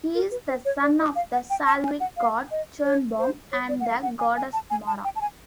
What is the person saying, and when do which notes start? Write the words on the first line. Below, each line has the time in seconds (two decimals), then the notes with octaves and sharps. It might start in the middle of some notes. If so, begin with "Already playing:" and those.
He is the son of the Slavic god Chernobog and the goddess Mara.
0.15 A#4
0.31 B4
0.48 C5
0.65 C#5
0.82 D5
0.99 D#5
1.16 F5
1.33 F#5
1.50 G5
1.66 A5
1.83 G#5
2.00 F#5
2.17 F5
2.51 D#5
2.84 C#5
3.19 C5
3.52 C#5
3.69 D5
3.80 F#5
3.86 F5
4.03 F#5
4.19 G#5
4.37 G#5
4.53 A5
4.70 G#5
4.87 A5
5.04 G5
5.16 A5
5.21 G#5